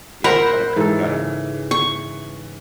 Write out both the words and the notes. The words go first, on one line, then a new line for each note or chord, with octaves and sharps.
you know, you kinda cook that on
A#2 A#4 C5 F#5 A#5 B5
G#2 E3 A4
C#3
C#6